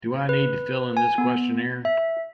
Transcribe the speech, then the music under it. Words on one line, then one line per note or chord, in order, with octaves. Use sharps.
Do I need to fill in this questionnaire?
B4
G#5
B3
E5